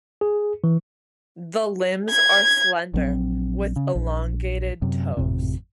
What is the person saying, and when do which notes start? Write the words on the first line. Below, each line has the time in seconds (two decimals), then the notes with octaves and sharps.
The limbs are slender, with elongated toes.
0.21 G#4
0.64 E3
2.10 G#6
2.94 A#1 F#3 C4
3.76 C#3
3.95 A#1
4.82 F#2 C3
5.17 G#1 F2 A2 C3